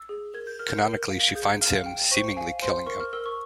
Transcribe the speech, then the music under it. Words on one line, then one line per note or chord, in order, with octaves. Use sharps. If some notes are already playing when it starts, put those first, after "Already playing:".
Canonically, she finds him, seemingly killing him.
Already playing: E6
G#4
A#4 G#6
G6
A#4 F6
G6
A#4
F5
G#6
G#4 G6
F5 F6
G5
C5 C#6
F5 G#5
C5 C6
A#4 C#6
F6
A#4 E6
C#6